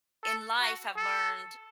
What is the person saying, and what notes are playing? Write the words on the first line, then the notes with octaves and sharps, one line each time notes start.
in life, have learned
A4
F#4
A4